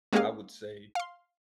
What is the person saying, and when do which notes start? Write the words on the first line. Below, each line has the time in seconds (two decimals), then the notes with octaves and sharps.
I would say,
0.13 G#3 A#3 C#4 G4 G#4 F5
0.95 F5 C6